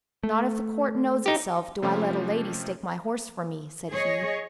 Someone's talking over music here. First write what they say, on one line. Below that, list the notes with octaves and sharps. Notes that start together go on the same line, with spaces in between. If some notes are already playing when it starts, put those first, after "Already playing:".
"Not if the court knows itself do I let a lady stake my horse for me," said he.
A3
D#4 G4
C3 F3 A3 C#4 F4 G4
G#4 C#5 D#5